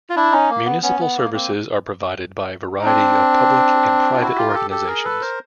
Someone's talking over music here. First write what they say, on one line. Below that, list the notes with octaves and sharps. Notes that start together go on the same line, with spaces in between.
Municipal services are provided by a variety of public and private organizations.
F4
D4 E4
C#4 D#4
A#3
B3
B3 C#4
B3
A#3
A#3 C4
D#4
C4 D4
F4
E4 F#4
F4 G4
A#4
G4 A4
G4 A4
G#4 A#4
A4 B4
A#4 C5